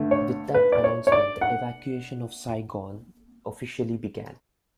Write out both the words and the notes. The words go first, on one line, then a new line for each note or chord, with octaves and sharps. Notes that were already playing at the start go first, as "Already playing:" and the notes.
With that announcement the evacuation of Saigon officially began.
Already playing: G2 D3 A3
C#5
B4
D5
C#5
C#5
D5
F#5